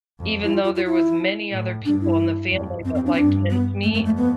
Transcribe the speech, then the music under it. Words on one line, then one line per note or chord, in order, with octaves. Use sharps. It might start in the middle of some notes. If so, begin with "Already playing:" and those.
even though there was many other people in the family that liked mincemeat,
F2
E4
F4
F4
F4
E4
A2
G2 D4
E4
F2
F2 C4
C4
D4
C4
G2 D4
B3
F2 A3
A3
A3
B3